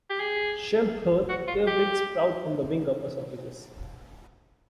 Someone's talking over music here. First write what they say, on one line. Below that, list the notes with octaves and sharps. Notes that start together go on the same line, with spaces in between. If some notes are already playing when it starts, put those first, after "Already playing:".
Schempp Hirth airbrakes sprout from the wing upper surfaces.
G4
G#4
F#4
F4
G4